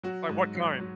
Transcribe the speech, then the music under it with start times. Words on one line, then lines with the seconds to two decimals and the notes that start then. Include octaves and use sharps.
Like, what kind?
0.03 F#3 F#4
0.29 G#2
0.55 F#3
0.80 F#3